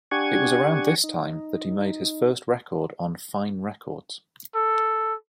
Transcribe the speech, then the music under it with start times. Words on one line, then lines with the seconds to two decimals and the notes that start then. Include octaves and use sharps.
It was around this time that he made his first record on Fine Records.
0.11 D4 G4 F#5 G#5 C#6 G#6
1.04 D#4
4.55 A4